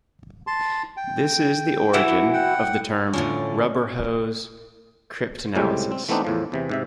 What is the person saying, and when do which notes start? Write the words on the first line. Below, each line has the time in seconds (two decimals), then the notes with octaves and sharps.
This is the origin of the term Rubber-hose cryptanalysis.
0.47 A5 C6
0.97 G5
1.94 E3 E4 F#4
2.33 F#5 G5
3.13 A2 D3 F3 C#4
5.55 C#2 A2 C3 G3 G#3
5.92 C4
6.09 E3 A3 B3 C4 D4 D#4
6.25 E2 A2 F3
6.52 E2 C3 E3
6.69 G#2 C3 E5